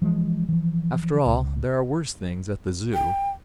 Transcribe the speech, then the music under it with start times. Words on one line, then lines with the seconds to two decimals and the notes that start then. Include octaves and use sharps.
After all, there are worse things at the Zoo.'
0.02 E3 F3 G#3
0.49 E3 F3
1.26 C#2
2.94 G5